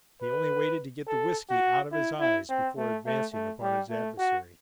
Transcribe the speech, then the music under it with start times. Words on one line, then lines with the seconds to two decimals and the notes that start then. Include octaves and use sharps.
He only waited to get the whisky out of his eyes before advancing upon his adversary.
0.22 B4
1.07 A4
1.50 F#4
1.92 E4
2.20 E4
2.49 C4
2.77 A3
3.06 A3
3.33 A3
3.61 G3
3.90 A3
4.18 F#4